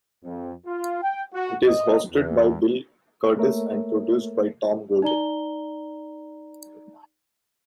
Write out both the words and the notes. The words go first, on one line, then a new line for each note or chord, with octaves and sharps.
It is hosted by Bill Kurtis and produced by Tom Golden.
F2
F4
G5
F#4
D#5
E2
A3 A#3 A4 A#4 C#5 E5
D#4 D5 A#5 G7